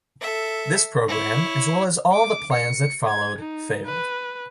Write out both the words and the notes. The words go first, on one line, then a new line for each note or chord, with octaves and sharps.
This programme, as well as all the plans that followed, failed.
A4 E5
E4 C#5
D6
C#7
G#6
D#4
B4